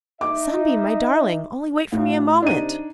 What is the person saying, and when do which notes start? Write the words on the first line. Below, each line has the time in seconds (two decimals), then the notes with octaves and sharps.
'Sunbeam, my darling--only wait for me a moment.'
0.21 D#4 D#5 E5 D6
1.92 A2 F#4 F5
2.42 C3 D4 D#4 D#7